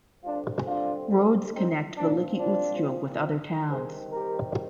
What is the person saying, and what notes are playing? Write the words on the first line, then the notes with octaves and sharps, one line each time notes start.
Roads connect Veliky Ustyug with other towns.
D3 G3 C4 D4 F4
D4 F4
C4 D#4
A#2 F3 C4 D4
D4
D#3 G3 C4 G#4 C5
G4 A#4